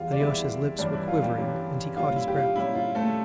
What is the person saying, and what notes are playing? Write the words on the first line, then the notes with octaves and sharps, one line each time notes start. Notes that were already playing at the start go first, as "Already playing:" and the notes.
Alyosha's lips were quivering and he caught his breath.
Already playing: E2 E3 G3 F4 F5
D5
E2 E3 G3 E4 E5
G2 E3 G3 C#4 D4 D5
E4
F4
G3 G4
G2 E3 G3 C#4
A#2 G3 C#4 F4
E4
G4
F4
A#2 G3 C#4 E4
F4
A3 A4